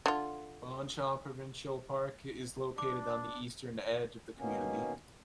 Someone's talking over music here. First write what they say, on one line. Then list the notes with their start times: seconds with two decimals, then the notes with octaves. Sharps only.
Bonshaw Provincial Park is located on the eastern edge of the community.
0.06 D3 F4
2.78 D4 D6
4.38 B2 D#3 A#3 B3 C#4